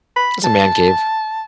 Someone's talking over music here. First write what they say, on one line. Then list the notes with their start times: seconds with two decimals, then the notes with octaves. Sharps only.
It's a man cave.
0.16 B5
0.44 A5